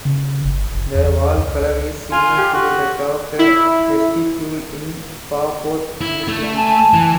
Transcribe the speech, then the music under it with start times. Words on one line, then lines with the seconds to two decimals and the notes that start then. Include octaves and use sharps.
The wall colour is similar to that of the vestibule in Faaborg Museum.
0.05 C#3
0.45 G1
0.74 G1
0.95 E2
1.38 C#2
2.12 F4 G#5
2.38 G4
2.54 F#4
3.39 E4
6.01 E4
6.28 A3
6.55 G#5 A5
6.94 E3